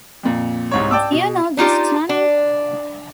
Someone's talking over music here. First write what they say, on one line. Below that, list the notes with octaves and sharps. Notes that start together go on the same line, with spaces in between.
Do you know this turning?
F2 A#2
C2 G#2 C#5
D5 G5 A5 D6 E6
B2
D4 D#4 F4 G4
D4